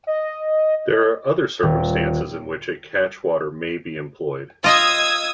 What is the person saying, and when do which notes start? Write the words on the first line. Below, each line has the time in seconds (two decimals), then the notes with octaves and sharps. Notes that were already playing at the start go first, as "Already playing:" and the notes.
There are other circumstances in which a catchwater may be employed.
0.07 D#5
1.63 D#1
4.64 F4 D#5 D#6 E6 G#6